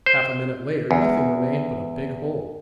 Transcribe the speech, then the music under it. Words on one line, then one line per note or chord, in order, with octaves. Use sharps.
Half a minute later nothing remained but a big hole.
C5
E2